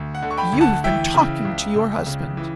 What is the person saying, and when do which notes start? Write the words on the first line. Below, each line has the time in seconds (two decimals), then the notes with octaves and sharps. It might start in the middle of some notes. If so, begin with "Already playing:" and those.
You have been talking to your husband!'
Already playing: D2
0.15 F#5
0.22 D3
0.31 C#6
0.37 G5 B5
0.53 D2
0.61 F#5 A5
0.84 E3 E5 G5
1.14 C#3
1.45 C#2
1.76 C#2
2.07 C#3
2.37 E3